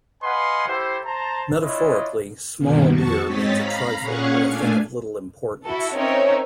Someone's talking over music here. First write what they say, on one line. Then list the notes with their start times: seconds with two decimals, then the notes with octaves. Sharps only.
Metaphorically, "small beer" means a trifle, or a thing of little importance.
0.23 B4 D#5 F5 F#5 G#5 C6
0.68 E4 G4 A4 C5
1.05 C5 A5 A#5
1.62 D4 E4 F4 C#5 D#5
2.58 G2 B2 D#3 A#3 B3
2.92 F2 F#4 A5 C#6
3.24 G#2 C4 C#5 D#5 A6 B6
3.55 F5 A#5 B5
4.01 A#2 C#4 G#4 F5 F#5 C#6
4.46 A#2 A3 D4 F5 G#5
5.64 E4 F#4 A4
5.95 C4 C#4 D#4 A#4 C#5 E5